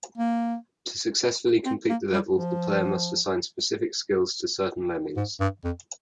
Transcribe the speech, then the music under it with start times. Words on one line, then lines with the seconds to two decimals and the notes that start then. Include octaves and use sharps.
To successfully complete the level, the player must assign specific skills to certain lemmings.
0.18 A#3
1.66 C4
1.90 A#3
2.13 G3
2.36 F3
5.17 G#2
5.40 G2
5.64 F2